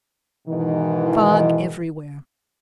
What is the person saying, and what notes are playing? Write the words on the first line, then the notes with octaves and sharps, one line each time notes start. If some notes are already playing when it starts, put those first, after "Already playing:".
Fog everywhere.
G#2 B2 D#3 E3